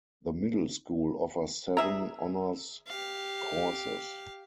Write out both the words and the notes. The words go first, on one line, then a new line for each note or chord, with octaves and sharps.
The middle school offers seven honors courses.
E4 G#4 E5 A#5
G4 F5